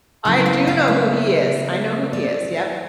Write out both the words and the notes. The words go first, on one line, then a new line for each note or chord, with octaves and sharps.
I do know who he is, I know who he is, yep.
C#3 F#3 B3 E4 F#5
F5
F5
E5
D5